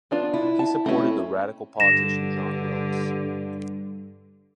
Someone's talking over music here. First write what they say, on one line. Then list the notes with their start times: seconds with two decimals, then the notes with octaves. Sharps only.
He supported the radical politician John Wilkes.
0.11 B3 D4 F4
0.34 E4
0.59 A5
0.86 A3 C4 C#4 E4
1.80 G2 D3 A#6 E7